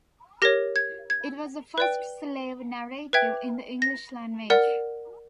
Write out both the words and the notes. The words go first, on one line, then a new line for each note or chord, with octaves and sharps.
It was the first Slave narrative in the English language.
G4 A#4 C#5 A#6
G#6
G#6
B4 D5 G5
B4 E5 G5 G#6
A#6
A#4 D5 F#5